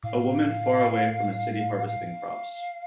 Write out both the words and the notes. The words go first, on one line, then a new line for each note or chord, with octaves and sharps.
A woman far away from a city harvesting crops.
A2 F5
F5